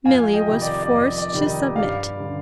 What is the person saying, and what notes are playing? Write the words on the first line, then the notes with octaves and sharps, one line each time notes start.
Milly was forced to submit.
F2 F5 G#5
D#5 G5
C3 D#3 G3
D5
D5
F2 D#5
D5
C3 D#3 G3
D#5
G2 D5 F5
D3 G3